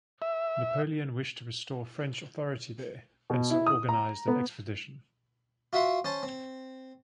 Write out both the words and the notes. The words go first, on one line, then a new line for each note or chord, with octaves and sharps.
Napoleon wished to restore French authority there, and so organized an expedition.
E5
B2
E4
D#6
A#5
B3
F4 F#4 E5 F#5 C6
C#4 C5 A5
C4